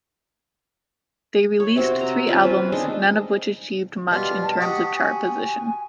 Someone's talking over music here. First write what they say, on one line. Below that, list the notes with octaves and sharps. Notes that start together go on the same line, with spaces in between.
They released three albums, none of which achieved much in terms of chart position.
C#5
C3 C4 F#4
A#5
C#4 F4 B4
C4 B4
G#3 D4 D#4
B2 G3 F4
A5
F#4 G4 F#5 D#6
G#5